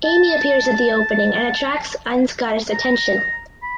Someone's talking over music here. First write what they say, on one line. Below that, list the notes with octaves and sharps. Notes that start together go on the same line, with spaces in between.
Amy appears at the opening and attracts Ansgar’s attention.
A5
A#5
B5